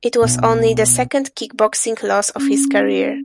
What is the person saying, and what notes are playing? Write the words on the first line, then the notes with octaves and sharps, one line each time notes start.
It was only the second kickboxing loss of his career.
B1
C#4